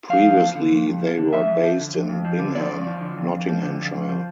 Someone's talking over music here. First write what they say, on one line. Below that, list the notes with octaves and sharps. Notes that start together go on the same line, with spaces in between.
Previously they were based in Bingham, Nottinghamshire.
F2 F5
F2
F3
D3
F2
F2
F3
D3
F2 E5
F2
F3
D3
F2
F2
F3
D3
F2 D5
F2
F3
D3
F2
F2
F3
D3
F2
F2
F3